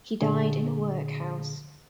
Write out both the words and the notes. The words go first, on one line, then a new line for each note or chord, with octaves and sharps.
He died in a workhouse.
A#2 D3 G#4